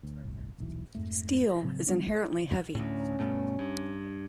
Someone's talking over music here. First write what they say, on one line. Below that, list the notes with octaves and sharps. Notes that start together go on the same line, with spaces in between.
Steel is inherently heavy.
D2
D1 G1 C2
D#1 B1 E3
F2 G#2 A3
A2 C#3 F#3 C4
F#3 G3 B3 D4
D2 A2 C#4
G2 B2 A3
G2